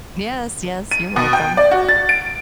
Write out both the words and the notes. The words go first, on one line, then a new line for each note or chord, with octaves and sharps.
Yes, yes. You're welcome.
D#7
B2
G5
D5
F#4
A6
D7